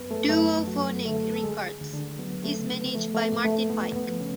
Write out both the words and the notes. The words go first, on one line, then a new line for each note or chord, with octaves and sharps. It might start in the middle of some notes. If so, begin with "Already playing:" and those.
Duophonic Records is managed by Martin Pike.
Already playing: F#2 B3 B4
A3 A4
F#2 A3 A4
F#3 F#4
D3 A3 A4
A4
D2 G#3 G#4
D2
D3 D4
F#3 B3
A3
C#3
B3
F3 A3
A3
B3
G#2
A3
G#2 B3
B3
F3
C#3 C#4